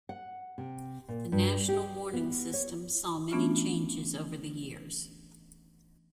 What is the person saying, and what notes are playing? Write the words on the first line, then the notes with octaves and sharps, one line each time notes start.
The national warning system saw many changes over the years.
F#5
C3
A#2
G2
G4
B3
C#5
E3 A3 B3 C#4 D4 F4